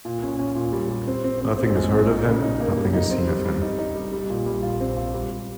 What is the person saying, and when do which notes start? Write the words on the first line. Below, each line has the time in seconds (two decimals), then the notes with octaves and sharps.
Nothing is heard of him, nothing is seen of him.
0.05 A#2
0.23 C#4
0.39 C#4
0.55 A#2
0.72 G3
0.90 G3
1.07 C4
1.24 C4
1.40 C4
1.58 C4
1.75 G#3
1.92 C4
2.09 D#4
2.26 C#3
2.42 D#4
2.60 A#3
2.77 G3
2.93 D#4
3.11 C4
3.27 G3
3.45 G3
3.62 D#4
3.79 D#4
3.95 G3
4.12 G3
4.30 A#2
4.46 G3
4.63 F4
4.80 C4
4.97 F4
5.14 G3
5.31 G3